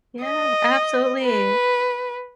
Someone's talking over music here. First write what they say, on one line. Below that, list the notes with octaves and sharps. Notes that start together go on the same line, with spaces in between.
Yeah. Absolutely.
D#5
B4